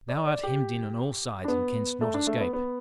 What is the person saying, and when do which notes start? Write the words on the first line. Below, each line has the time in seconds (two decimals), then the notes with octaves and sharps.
"Thou art hemmed in on all sides, and canst not escape!"
0.08 D5
0.26 D5
0.43 G4
1.44 D4
1.48 B3
2.01 A3
2.14 D4
2.27 A3
2.40 B3
2.53 B3